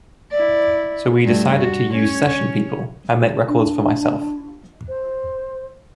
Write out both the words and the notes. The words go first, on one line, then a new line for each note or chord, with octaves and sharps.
So we decided to use session people." "I make records for myself.
E4 D5
G2 A3
F#4
C#4 C#5
D4
C5